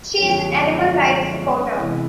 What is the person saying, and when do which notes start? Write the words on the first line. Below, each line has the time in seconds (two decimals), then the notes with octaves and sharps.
She is an animal-rights supporter.
0.18 F#2 D3 F3 G#3 B3 C#4
1.76 C3 E3 G#3 B3 E4